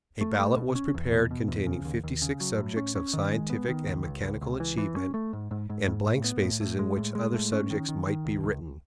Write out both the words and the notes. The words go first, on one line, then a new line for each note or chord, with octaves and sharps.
A ballot was prepared containing fifty-six subjects of scientific and mechanical achievement and blank spaces in which other subjects might be written.
A3
A3
B2
C#4
E2
B2
B2
E2
C#3
D#2
D#2
C#3
F#3
A2
C#4
C#4
D#3
G#3
B3
D#3
C#2
C#2
C#2
C#2
E3
E3
C#4
A3
G#2
G#2
G#2
G#2
A2
B3
A2
A2
G#3
A2
G#3
A2
C#4
D#3
D#3
D#3
C#2
C#2